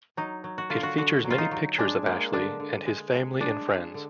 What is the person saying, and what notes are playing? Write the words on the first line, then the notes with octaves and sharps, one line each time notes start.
It features many pictures of Ashley and his Family and Friends.
F#3 D#4
F#3
F#4
D3 F4
F#4
D3 F#4
F#3
F4
D#4
F#3
G#3 D4
G#3 A#3
D3 D4
D3
G#3
G#3
G#3 D4
G#3
D3